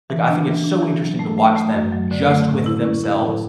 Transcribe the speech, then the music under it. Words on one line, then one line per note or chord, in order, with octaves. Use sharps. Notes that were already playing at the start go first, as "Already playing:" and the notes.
like, I think it's so interesting to watch them just with themselves
E3
D4
E3
D4
E3
F#3
A3
A3
A3
F#2
F#3
D3
A3
A2
E4
C#4
E4
A2